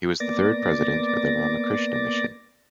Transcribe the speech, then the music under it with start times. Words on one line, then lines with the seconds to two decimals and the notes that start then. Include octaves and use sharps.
He was the third president of the Ramakrishna Mission.
0.20 A#3 B3 D5 D6 A6 A#6